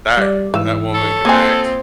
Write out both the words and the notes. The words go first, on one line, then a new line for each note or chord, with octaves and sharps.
that that woman can act
G3 D5
G#2 E3 F5 E6
A4 C#5
A#3 C4 F4 G#5 D#6 G#6